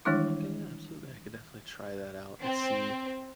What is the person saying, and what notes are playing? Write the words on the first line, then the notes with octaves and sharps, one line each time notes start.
Okay, yeah, absolutely, I could definitely try that out and see,
D#3 E3 G3 G#3 D4 E4
C4